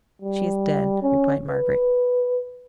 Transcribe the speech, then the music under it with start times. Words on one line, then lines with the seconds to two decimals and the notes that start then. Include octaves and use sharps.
'She is dead,' replied Margaret.
0.22 G3
1.02 C#4
1.49 B4